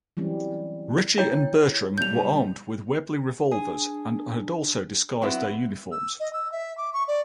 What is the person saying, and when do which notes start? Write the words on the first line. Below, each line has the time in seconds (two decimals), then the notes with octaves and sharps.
Ritchie and Bertram were armed with Webley revolvers and had also disguised their uniforms.
0.17 E3 F#3 G3 C4 C#4
1.18 E4 C#5 G5
1.98 B1 G3 G6 F7
3.51 D4 G#4
5.22 F#3 B3 C4 E4
5.92 E6
6.20 D#5
6.33 E6
6.52 E5
6.78 D6
6.93 C#6
7.08 D5